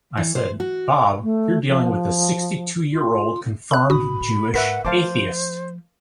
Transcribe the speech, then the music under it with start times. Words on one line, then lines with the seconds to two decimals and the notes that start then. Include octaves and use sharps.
I said, 'Bob, you're dealing with a sixty-two-year-old confirmed Jewish atheist.
0.17 E3
0.35 C5
0.60 F#4
1.22 A3
1.67 F3
2.91 F4
3.71 B5 F#6
3.90 A1 F#4 B5 D#6
4.20 A2
4.54 G#2 A#4 B4 E5 F#5 B6
4.85 F3 A3 C5 F5 A5 D6